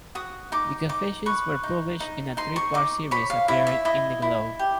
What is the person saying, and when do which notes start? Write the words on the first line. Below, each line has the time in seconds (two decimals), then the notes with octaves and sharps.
The confessions were published in a three-part series appearing in the "Globe".
0.15 F#4 D#6
0.52 D#4 D6
0.89 D#4 D6
1.26 B4 C#6
1.63 D#4
2.00 D#4
2.37 D#4 C6
2.56 C#6
2.74 D#4 D6
3.11 C#5 B5
3.30 F5
3.48 E4 E5
3.67 E5
3.85 E4 D#5
4.22 E4
4.59 G4